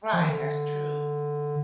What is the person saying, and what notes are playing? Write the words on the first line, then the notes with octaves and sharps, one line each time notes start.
Right, that's true.
F3
D#3
D3